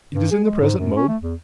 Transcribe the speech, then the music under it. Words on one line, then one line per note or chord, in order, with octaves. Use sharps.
It is in the present mode.
G2
G#4
G#3
G#2
F#2
C#4
A3
E2